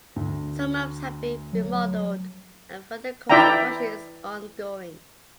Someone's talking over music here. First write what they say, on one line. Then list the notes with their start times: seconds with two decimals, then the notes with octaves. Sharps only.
Some homes have been remodeled, and further construction is ongoing.
0.16 D2
1.53 F#3
3.30 E4 D5 E5 G5 A#5